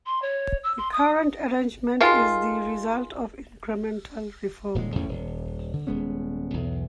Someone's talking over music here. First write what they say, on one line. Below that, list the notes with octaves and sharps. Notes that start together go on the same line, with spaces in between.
The current arrangement is the result of incremental reform.
C6
C#5
E6
C6
D#6
D#3 G#3 F4
D#1 A#2 D#3 G#3
E2 A2 D3 C#4
D#1
D3
D#1 G#3 B3 C#4
B1 E2